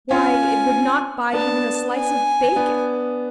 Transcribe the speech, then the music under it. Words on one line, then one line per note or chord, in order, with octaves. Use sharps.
Why, it would not buy even a slice of bacon.
C#4 F4 G#5
B3 D4 A5
G#5
B3 D4